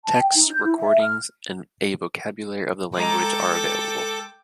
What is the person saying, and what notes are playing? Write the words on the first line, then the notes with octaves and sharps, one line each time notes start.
Texts, recordings, and a vocabulary of the language are available.
A5
G5
D#4
G6
E4
E5
F6
G#3 A4 G5 A#5 D6